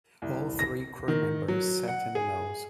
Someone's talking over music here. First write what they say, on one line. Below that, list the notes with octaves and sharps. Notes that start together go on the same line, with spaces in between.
All three crew members sat in the nose.
C2
A#6
D#3
F#3
F#5
G#4